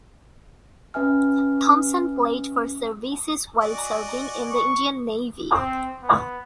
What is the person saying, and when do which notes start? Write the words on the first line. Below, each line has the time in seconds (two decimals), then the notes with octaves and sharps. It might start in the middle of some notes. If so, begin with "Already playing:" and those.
Thomson played for Services while serving in the Indian Navy.
0.94 C#4 B4 E5 G#5 F6
3.62 F#4 D5 D#5 G#5
4.51 C#6
5.53 C4
6.02 B3